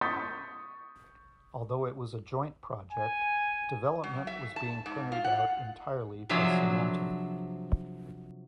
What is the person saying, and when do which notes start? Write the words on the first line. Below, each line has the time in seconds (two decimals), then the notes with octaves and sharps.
Although it was a joint project, development was being carried out entirely by Symantec.
0.01 C#6 D#6 G6 A6 B6
2.91 G#5
4.04 F#3
4.27 E5
4.56 A5
4.86 G#2
5.12 F4
5.24 F#5
6.29 C3 F3 F#3 D4 G#4 E5